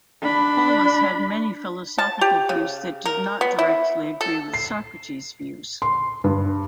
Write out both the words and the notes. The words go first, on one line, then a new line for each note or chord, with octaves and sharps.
Polus had many philosophical views that did not directly agree with Socrates views.
D4 B5
A5
G4
C#3
A#4
B3
E4
A4
C7
C6
G2